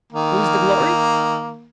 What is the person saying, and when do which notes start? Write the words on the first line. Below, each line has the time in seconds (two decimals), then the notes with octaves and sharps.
Whose the glory?
0.13 D#3 A#3